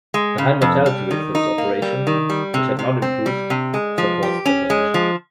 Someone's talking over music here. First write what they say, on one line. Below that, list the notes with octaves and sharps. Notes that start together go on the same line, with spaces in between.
The high mortality rate for this operation, which had not improved, supports their position.
G#3
C#3
F2
G3
D#3
D#4
A#3
G3
D#3
G3
C3
C3
C4
G3
C3
G#3
F3
G4
C#4
G#3
F3